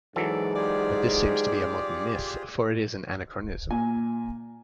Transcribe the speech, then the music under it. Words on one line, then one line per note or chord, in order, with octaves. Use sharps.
But this seems to be a modern myth, for it is an anachronism.
G#2 E3 F#3 A4 D5
F4 G4 G#4 D5
A#2 G#5